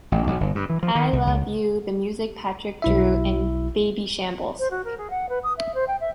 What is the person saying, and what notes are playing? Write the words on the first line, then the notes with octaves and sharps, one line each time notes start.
I love you, the music, Patrick, Dru and Babyshambles.
A1
B1
G1
G2
E3
F3
D#3
C2
C#2
B1 E4 E5
C5
F#4
A#4
G#4
F#5
B4
D#6
E5
C5
G5
E5